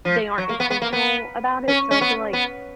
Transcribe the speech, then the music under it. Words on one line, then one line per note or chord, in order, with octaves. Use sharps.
they aren't intentional about it. So I feel like
F3
F#3
A#3
B3
B3
A#3
B3
C#4
C#4
B3
B3